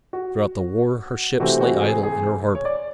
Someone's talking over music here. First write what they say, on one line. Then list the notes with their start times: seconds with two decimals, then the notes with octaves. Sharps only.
Throughout the war her ships lay idle in her harbour.
0.13 F#4
1.40 C3 E3 A3 C4 F#4
1.61 F#4
1.81 G#4
2.03 G#4
2.55 C#5
2.65 D5